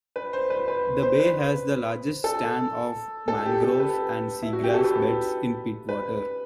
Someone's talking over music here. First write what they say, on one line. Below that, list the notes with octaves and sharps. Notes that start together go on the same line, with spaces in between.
The bay has the largest stand of mangroves and sea grass beds in Pittwater.
B4
C5
B4
B4
C5
B4
A4
A4
G4
A4
B4
E4
F#4
G4
A4
B4
B4